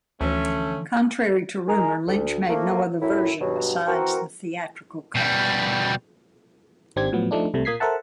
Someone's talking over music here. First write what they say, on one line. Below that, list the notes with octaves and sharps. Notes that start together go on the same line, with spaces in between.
Contrary to rumor, Lynch made no other version besides the theatrical cut.
D2 D3 E3 F3 A3 C#4
D#4 G#4 A#4 G#5 A#5
D2
F3 A3 A#3
F#2 A2 E4
G2 B2 F#3
E3 C4 F#4 A#4
B2 G3
G#1 D#3 C4 D4 G4 G#6
A2 F3 F#3 B3
F3 A3 D4 D#4
C2 C3 G3 A3
A#2 A#3 D#6 G#6 B6 C7
A4 A#4 C5 E5 F#5 A5